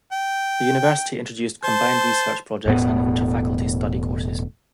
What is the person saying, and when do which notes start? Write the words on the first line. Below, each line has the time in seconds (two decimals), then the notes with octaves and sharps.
The university introduced combined research projects and inter-faculty study courses.
0.12 G5
1.64 C5 A5
2.66 E1 A2 B3